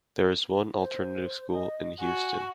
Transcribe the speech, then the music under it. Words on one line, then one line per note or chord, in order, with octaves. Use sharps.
There is one alternative school in Houston.
C5
D#5
F#4 G#5